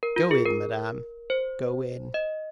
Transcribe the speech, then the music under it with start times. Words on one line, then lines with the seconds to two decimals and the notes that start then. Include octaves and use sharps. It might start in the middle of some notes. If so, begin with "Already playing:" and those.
"Go in, madam, go in."
0.03 A#4
0.16 F4
0.31 G#4
0.46 A#4
1.30 C5
2.14 D#5